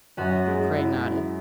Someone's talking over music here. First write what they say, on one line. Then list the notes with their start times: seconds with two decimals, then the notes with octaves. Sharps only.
De Craye nodded.
0.17 F#2 C#4 F#4
0.47 G#3
0.75 E4
1.03 E4